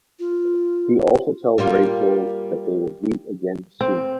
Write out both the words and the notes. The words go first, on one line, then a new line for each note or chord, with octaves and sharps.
He also tells Rachel that they will meet again soon.
F4
G3 A#3 F4
C4